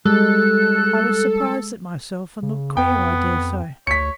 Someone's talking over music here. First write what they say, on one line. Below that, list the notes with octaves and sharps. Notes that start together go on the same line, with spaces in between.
I was surprised at myself, and looked queer I daresay.
G3 G#3 A4 F#6
C#3
F2 B3 G5
D2 C#5 B6 C#7